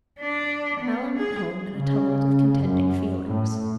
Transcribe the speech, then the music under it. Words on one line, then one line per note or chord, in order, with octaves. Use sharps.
Alan went home in a tumult of contending feelings.
D4
B3
G#4
C#3
F#2
A2